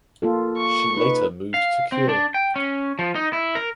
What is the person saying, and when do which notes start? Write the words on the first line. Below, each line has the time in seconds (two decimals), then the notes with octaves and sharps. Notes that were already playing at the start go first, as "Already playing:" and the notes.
She later moved to Kure.
0.22 A#3 F4 A4
0.57 C#6
0.97 D#4 B4
1.54 F5
1.92 C4
2.09 D4
2.34 G5
2.56 C#4
2.99 F3
3.15 D#4
3.33 E4
3.55 A#4